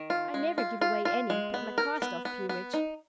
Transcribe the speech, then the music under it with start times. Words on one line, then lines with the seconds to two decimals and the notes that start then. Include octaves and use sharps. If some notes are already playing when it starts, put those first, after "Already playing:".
I never give away any but my cast-off plumage.
Already playing: D#3
0.10 F4
0.34 G#3
0.58 F4
0.81 F4
1.05 F4
1.30 G#3
1.54 B3
1.78 A#4
2.02 B3
2.25 B3
2.49 B3
2.74 D#4